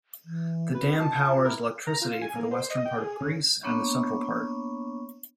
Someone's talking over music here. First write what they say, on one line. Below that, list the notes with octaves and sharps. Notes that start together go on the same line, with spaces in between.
The dam powers electricity for the western part of Greece and the central part.
E3
F#4 B4
F4 A5
E4 A#4
A#5
F4
G#5
A#3
C5
D#5
G5
G#4
C#3
A#3 B3 D4 C#5 B5 C#6